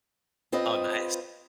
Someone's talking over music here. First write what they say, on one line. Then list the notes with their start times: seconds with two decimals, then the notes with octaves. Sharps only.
Oh, nice.
0.52 C4 F4 B4 D#5